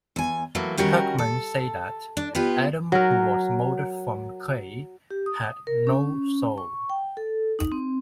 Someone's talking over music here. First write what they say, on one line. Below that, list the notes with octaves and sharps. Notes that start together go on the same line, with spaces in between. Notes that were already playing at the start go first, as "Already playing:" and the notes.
Turkmen say that Adam who was moulded from clay had no soul.
E2 G#5
E3 F#3 A3 A#3
D#3 G3 C#4 F#4 A#4
A4
D4
B3 F4 G4 B4
F#3 A#4
G4
D#6
A#4
C#4
C#6
G5
A4
D#4
C4